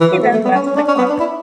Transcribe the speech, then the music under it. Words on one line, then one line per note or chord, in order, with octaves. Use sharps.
He then left the club.
E3
F#3
A3
A3
B3
C#4
C#4
D4
C#4
B3
D4
E4